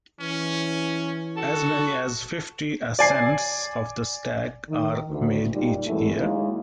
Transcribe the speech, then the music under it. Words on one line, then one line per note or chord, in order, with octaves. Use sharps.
As many as fifty ascents of the stack are made each year.
E3 C#4
F#4 A4
D5 G#5 C7
D#3
D2
A#2 G3 D#4
F#2 E3 G#3 A3 E4
D#2 F#3 G#3 A#3 E4